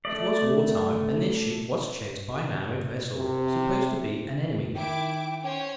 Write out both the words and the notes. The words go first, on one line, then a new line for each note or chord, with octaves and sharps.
It was war time, and their ship was chased by an armed vessel, supposed to be an enemy.
A3 D5
C3
D#3 E4 G5 D6
C#4 C5 C#5